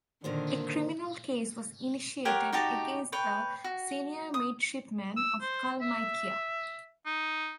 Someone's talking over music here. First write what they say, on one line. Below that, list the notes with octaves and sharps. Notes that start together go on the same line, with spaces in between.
A criminal case was initiated against the senior midshipman of "Kalmykia".
A#2 D3 D#3 A#3 C5
G4 A#4 C#5 F#5
D#4 F#4 G4 A5
B4 C#5 G5
F#4
D#6
E6
C5
E5
D#4